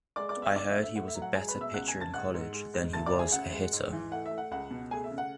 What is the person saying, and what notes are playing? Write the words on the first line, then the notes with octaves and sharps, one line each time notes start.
I heard he was a better pitcher in college than he was a hitter.
G#3 D5 D6
D5 D6
B3
E5 E6
D4 D5 D6
E5
A3
E5
A2 F#5
E5
F#3
F#5
G#3 G#4 G#5
B4 B5
B2
E5 E6
C#2 F#5 F#6
G#5 G#6
C#3
A5 A6
G#2 F#5 F#6
G#2
G#3
G#2
D2 A5 A6
D5 D6
D2
G#4 G#5
C#3 F#5
G#3
G#2
E3
A3 F#5
E5
A3
F#5
C#2 F#5
B2
A3 G#4 G#5
E5
C#3
F#5